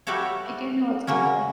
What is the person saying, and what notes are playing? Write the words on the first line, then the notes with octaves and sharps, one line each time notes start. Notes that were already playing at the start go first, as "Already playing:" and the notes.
I do know what those look like.
G3 A3 F#4 G4 A4 C#5
C#3 F#3 A#3 C#4